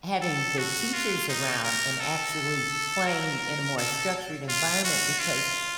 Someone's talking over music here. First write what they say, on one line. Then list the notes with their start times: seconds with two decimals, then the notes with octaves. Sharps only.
having the teachers around and actually playing in a more structured environment because
0.22 A4
0.58 F#4
0.94 F4
1.29 D#4
1.64 A#4
2.00 A4
3.07 A#4
3.78 A4
4.48 F4
4.84 F#4
5.19 F4